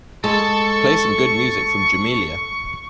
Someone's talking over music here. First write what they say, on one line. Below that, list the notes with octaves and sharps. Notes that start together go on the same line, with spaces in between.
Play some good music from Jamelia.
G#3 A4 A5 C#6